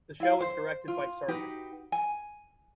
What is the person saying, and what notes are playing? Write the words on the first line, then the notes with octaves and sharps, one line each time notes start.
The show was directed by Sgt.
E4 F5
C5
F4
D#4 F#4 G4 B4
G#5